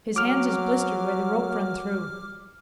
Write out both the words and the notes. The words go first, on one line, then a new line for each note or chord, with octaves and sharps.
His hands is blistered where the rope run through.
F#3 D6 F6